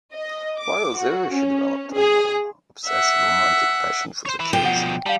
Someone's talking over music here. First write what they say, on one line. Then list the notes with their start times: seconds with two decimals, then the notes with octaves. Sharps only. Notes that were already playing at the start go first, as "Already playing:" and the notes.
While there, she developed an obsessive romantic passion for the Kaiser.
0.14 D#5
0.58 D6
0.97 F#4
1.32 C#4
1.93 G#4
2.86 E5 F#5
4.26 C5 C#5
4.40 E4 B4
4.53 C3 F3 G5
4.65 B2 F3 F#5
5.06 G3 F5 A5